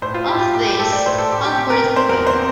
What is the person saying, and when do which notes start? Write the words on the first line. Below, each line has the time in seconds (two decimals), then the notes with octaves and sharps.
Of these, half were female.
0.02 A2 C5
0.14 F4
0.28 A2 G4
0.41 F4
0.54 A2 G4
0.67 G4
0.80 A2 A4
0.92 D5
1.06 A2 C5
1.19 A4
1.31 A2 G4
1.44 G4
1.58 C3 G4
1.70 A#4
1.83 C3
1.96 C5
2.09 E2 A#4
2.26 C5
2.36 C4